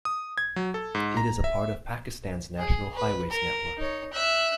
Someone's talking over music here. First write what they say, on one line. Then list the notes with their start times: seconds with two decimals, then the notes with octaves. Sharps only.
It is a part of Pakistan's National Highways network.
0.05 D#6
0.38 G#6
0.56 F#3
0.74 A4
0.95 G#2
1.17 A#5
1.44 E5
2.58 G#4
2.95 B4
3.30 A#4
3.77 D#4 C#5
4.13 E5 F#6